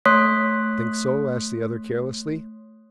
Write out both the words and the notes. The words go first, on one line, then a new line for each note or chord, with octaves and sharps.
"Think so?" asked the other carelessly.
A3 C#5 C6 D#6 F#6 B6